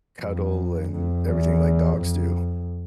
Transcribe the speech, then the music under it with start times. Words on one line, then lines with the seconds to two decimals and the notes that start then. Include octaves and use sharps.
cuddle, and everything like dogs do.
0.22 F2
0.92 F2
1.27 E2
1.97 F2